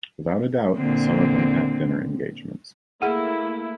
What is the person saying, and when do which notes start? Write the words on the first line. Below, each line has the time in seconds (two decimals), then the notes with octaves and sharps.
Without a doubt, some of them have dinner engagements.
0.76 A#2 D3 C4
3.02 A3 A#3 E4 G#4 F#5